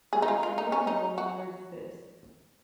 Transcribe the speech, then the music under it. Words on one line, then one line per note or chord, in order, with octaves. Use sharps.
The facility no longer exists.
G#4
D#4
F4
F4
D#4
C#4
D#4
F#4